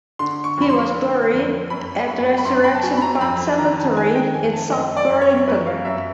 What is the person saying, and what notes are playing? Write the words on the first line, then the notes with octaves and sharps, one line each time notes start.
He was buried at Resurrection Park Cemetery in South Burlington.
D3 C6
C#6
F2 B5
C6
D3
F2
F#2 B5
F#2 B5
B5
F#2 C6
B5
A5
F#3 G#5
B5
A#5
F2 B5
D#3 A#5
A5
D#3 G#5
G5
F2 G#5
A5
F#2 D#5
D5
F#2
C#5
F#2 B4
F5
F#2 E5